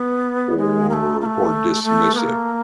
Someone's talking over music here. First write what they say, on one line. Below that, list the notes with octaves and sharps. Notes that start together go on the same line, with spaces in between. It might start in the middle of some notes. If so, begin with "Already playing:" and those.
or or dismissive,
Already playing: B3
G#3
A#3
A3
A#3
A3
A3
B3
A#3